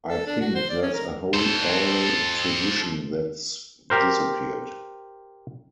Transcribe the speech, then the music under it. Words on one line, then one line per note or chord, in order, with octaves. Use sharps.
I think there's a whole oral tradition that's disappeared.
A4
D4
F#4
C5
D5
C#4
A#4
A4 C5
G4 A#4 C5